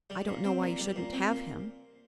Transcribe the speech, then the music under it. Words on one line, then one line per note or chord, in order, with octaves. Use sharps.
I don't know why you shouldn't have him.
G3
A#2
C4
A#2
G3
A#2
C4
A#2